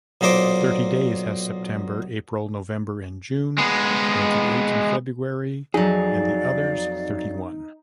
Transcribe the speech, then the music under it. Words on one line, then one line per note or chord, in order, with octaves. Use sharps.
Thirty days has September, April, November and June, twenty-eight in February, and the others thirty-one.
B1 A#2 D#4 C5 D6
G#3 B3
F2 F#3 D#4 G#4 D5 F5